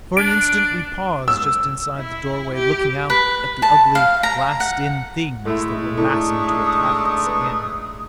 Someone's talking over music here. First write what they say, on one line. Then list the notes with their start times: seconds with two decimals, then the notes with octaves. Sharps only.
For an instant we paused just inside the doorway, looking out at the ugly, glassed-in Things that were massing to attack us again.
0.17 D4 D7
1.28 E6
1.98 E4
2.55 G4
3.10 B4
3.62 A5
3.95 F5
4.23 A#5
4.60 F#5
5.45 A2 G#3 A3 E4
5.97 A2 D4 D#4 C#6 D#6
7.26 B4